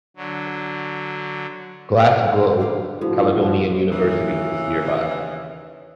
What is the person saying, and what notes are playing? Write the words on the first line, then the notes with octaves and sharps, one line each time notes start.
Glasgow Caledonian University is nearby.
D3 F#3
D3 A3
G4 F5
A2 F3 F#4
D#2 C#3 E3